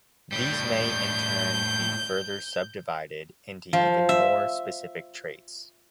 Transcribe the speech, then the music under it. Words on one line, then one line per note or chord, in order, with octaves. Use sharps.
These may in turn be further subdivided into even more specific traits.
A2 G3 G6
F3
E5